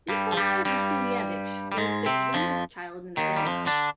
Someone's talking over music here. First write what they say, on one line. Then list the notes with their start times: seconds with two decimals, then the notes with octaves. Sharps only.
Nikolai Vasilievich was the youngest child in the family.
0.09 G2 G3
0.32 F3
0.37 G2 G3
0.65 G2 G3
1.72 G3
1.77 G#2 G#3
2.06 C3 C4
2.34 F2 F3
3.17 D#2 D#3
3.37 G3
3.46 F2 F3
3.66 D3 D4